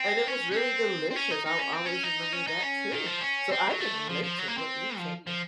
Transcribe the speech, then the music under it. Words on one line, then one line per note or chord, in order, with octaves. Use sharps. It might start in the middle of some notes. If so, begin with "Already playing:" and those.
and it was really delicious. I'll always remember that too, so I can relate to what you're saying.
Already playing: C4
C#4
C#4
C4
C4
C#4
D#4
D#4
C#4
C4
C#4
D#4
C#4
D#4
C#4
D#3
F3
C#4
C4
F#3
A3
F3
F3
F#3
A#3
C4
F3
F3